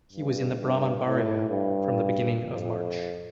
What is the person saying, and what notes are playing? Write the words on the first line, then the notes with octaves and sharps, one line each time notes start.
He was in Brahmanbaria from the beginning of March.
G2
G2
A2
G2
F2